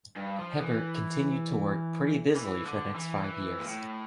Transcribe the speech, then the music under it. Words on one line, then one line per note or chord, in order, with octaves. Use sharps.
Hebert continued to work pretty busily for the next five years.
G2
F3
E3
E3
D3
E3
E3
A#2
A2